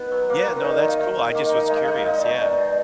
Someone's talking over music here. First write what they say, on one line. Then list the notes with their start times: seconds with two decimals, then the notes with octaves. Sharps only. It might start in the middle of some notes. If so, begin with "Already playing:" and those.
yeah, no, that's cool. I just was curious, yeah.
Already playing: B3 D#4 B4
0.11 F#3
0.30 A#3
0.46 D#3
0.64 D#4 D5
0.76 D5
0.82 D#3
0.88 F5
1.00 D#3 D#5
1.17 D#3
1.35 A#3
1.52 D#4
1.70 G#3 F5
1.82 F5
1.88 D#4
1.94 F5
2.05 D#4 D#5
2.17 D5
2.23 B2
2.29 D#5
2.40 D#4 D5
2.58 B2